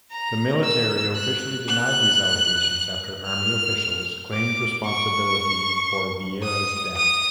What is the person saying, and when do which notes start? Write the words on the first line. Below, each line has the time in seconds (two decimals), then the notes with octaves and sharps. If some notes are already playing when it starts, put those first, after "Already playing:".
The military officially denied these allegations after Army officials claimed responsibility for Vieira's death.
0.12 A#5
0.64 E6
1.16 F#6
1.69 F#6
3.27 F6
4.33 D6
4.86 C#6
6.43 D#6
6.96 D#6